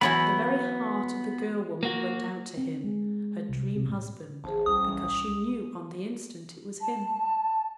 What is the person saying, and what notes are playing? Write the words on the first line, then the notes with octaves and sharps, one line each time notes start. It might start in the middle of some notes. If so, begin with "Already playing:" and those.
The very heart of the girlwoman went out to him, her dreamhusband, because she knew on the instant it was him.
E3 F#3 B3 E4 B5
A#3 F#4
C4
G#3
C2
C3
A2
A1 G#4 C5 A5
C2 G3 C#4 D#6
A5